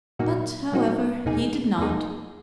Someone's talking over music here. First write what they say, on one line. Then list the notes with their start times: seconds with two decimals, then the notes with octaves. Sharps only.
But, however, he did not.
0.19 A#2 F#3 A#3 D#4 F#4
0.72 A#2 F#3 A#3 D#4 F#4
1.25 E2 B2 A#3 D#4 G#4
1.78 E2 B2 A#3 D#4 G#4